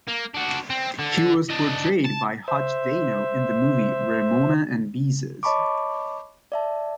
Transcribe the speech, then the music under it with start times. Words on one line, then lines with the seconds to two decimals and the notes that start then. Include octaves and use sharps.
He was portrayed by Hutch Dano in the movie "Ramona and Beezus".
0.08 A#3
0.34 D4 F#4
0.70 C4
0.99 D3
1.50 D4 D#5
2.04 A5
2.48 C5 E5
5.43 C#5 D#5 A5 B5 C#6 D6
6.52 D5 E5 A5